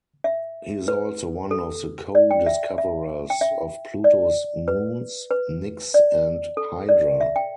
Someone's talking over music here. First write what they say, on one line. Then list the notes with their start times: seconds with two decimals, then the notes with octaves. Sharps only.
He is also one of the co-discoverers of Pluto's moons, Nix and Hydra.
0.24 E5
0.88 B4
1.51 A4
2.15 D5
2.31 G5
2.46 E5
2.78 E5
3.30 G5
3.41 E5
4.04 D5
4.68 B4
5.31 B4
5.94 D5
6.57 A4
6.89 D5
7.21 E5
7.36 G5